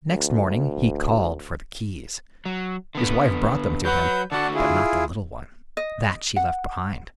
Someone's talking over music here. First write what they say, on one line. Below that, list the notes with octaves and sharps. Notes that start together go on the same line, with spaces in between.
Next morning he called for the keys; his wife brought them to him, but not the little one; that she left behind.
D2
E1
F#3
D3 B3
F#3 B4 F#5 G6
D3 F#4 D5 F#5 A5
E4 F4 G#4
D#5
F#5